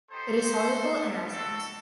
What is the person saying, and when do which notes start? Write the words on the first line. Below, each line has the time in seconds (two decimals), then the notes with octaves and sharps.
It is soluble in acids.
0.10 B3 D#4 G4 A4 C5
0.40 B3 D#4 G4
0.70 C4 F#4
1.01 G3 B3 E4
1.30 C4 F#4 A4